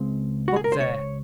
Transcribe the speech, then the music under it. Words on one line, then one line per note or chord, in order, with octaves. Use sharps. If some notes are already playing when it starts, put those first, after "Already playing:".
But there!
Already playing: C#2 G#3 C4
F#4
G#4
A#4
C5
C#5